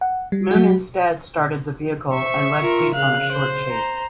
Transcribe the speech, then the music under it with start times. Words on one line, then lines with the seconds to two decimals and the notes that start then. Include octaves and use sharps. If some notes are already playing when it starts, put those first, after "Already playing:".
Moon instead started the vehicle and led police on a short chase.
0.01 F#5
0.32 G3
0.51 F#3 F#4
2.13 C5 E5 C#6
2.61 F4 A#4
2.95 C#3 F5 F#6
3.32 C5
3.71 A#5